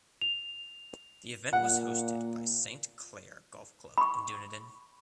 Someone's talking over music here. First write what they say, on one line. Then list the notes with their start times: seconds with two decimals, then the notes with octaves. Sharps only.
The event was hosted by St Clair Golf Club in Dunedin.
0.21 F7
1.53 A#2 F#5
3.98 B5 C#6